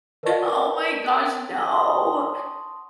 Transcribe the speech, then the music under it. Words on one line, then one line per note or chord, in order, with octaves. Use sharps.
Oh, my gosh, no,
A#4 B4 D5 D#5 A5 C#6
F#5 A5 C6 C#6 D#6